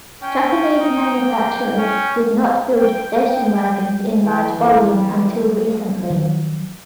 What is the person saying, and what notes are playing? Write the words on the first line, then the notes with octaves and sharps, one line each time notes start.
Japanese manufacturers did not build station wagons in large volume until recently.
C#4 G5
D#4
A#3
C#4
G5
E3 G5
F2 E3
G3
D#3 F3 F#3 D4